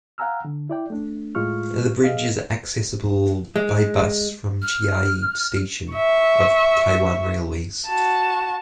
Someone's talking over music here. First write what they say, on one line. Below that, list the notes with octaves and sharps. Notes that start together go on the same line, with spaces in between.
The bridge is accessible by bus from Chiayi Station of Taiwan Railways.
F5 F#5 G#5 A#5 E6 F6
D3
E4 D5 G5
A3 D4
A2 G#3 F4 C#6 F6
G#4 D#5 F5
G#3
F6
E5 C#6
F#4 A5